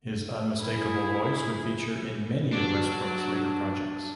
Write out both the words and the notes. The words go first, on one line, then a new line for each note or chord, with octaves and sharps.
His unmistakable voice would feature in many of Westbrook's later projects.
E4 G#4
F#3 D4